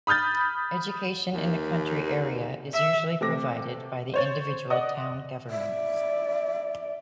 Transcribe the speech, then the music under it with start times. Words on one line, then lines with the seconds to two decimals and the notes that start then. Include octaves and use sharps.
Education in the county area is usually provided by the individual town governments.
0.07 B5 D#6 F6 G6 A6
1.34 D#2
2.73 E5
3.21 C3 A3 D6 A#6
4.14 C5 C#5 A6
4.70 D5 D#5 F#5 D#6
5.51 D5 E5